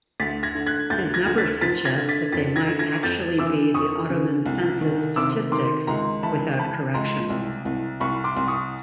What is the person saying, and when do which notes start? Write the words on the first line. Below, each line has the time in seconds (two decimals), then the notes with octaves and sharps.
His numbers suggest that they might actually be the Ottoman census statistics, without correction.
0.20 D2 A6 B6
0.43 G#6 A#6
0.55 D3
0.66 F#6 G#6
0.90 D2 G6 A6
1.14 G#6 A#6
1.26 D2
1.38 A6 B6
1.61 F3 A6 B6
1.85 G#6 A#6
1.98 D3
2.09 A6 B6
2.32 F2 A6 B6
2.56 G#6 A#6
2.68 D3
2.79 G#6 A#6
3.03 F2 G6 A6
3.39 E3 D6 E6
3.74 F2 C#6 D#6
4.10 C#3
4.46 C2
4.81 D#3
5.16 C3 D6 E6
5.52 D#3 C6 D6
5.87 C#2 A#5 C6
6.23 E3 A5 B5
6.58 E3 A5 B5
6.94 C#2 A#5 C6
7.30 C2
7.65 C2
8.00 C2 B5 C#6
8.24 C6 D6
8.36 C2
8.48 C#6 D#6